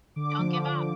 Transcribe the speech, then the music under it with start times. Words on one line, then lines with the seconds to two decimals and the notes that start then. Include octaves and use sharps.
Don't give up!.
0.16 D3 D6
0.39 F3